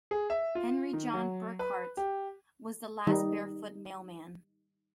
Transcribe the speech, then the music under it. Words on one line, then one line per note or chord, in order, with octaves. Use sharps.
Henry John Burkhardt was the last barefoot mailmen.
G#4
E5
F4
D#3
F#3
B4
G4
D#3 G3 D#4